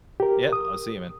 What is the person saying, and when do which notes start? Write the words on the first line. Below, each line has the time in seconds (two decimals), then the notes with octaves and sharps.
Yeah, I'll see you, man.
0.20 G4 A#4
0.53 D#6